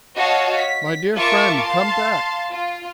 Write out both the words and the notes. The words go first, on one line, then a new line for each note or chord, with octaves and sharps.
My dear friend, come back!
F#4 C#5 D#5 F5 A5
B6
F4 A#4 E5 A5 C#6 D6
F5 A5 C6
F4